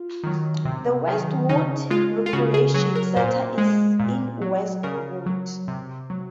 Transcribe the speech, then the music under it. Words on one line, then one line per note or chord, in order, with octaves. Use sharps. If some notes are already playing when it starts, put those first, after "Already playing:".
The Westwood Recreation Center is in Westwood.
Already playing: F4
D#3 F#3
C3
D#3 F#3
C#3 D#4
G#3 F4
F4
C#3 F#4
G#4
F#3 G#4
A#4
A#2 C5
G#3
A#2
F#3
C#3 A#4
F#3
C3
F#3